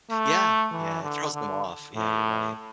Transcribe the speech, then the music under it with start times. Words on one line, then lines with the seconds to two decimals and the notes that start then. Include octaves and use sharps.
Yeah, yeah. It throws them off. Yeah, you're right.
0.11 A3
0.72 E3
1.03 D3
1.34 D3
1.94 A2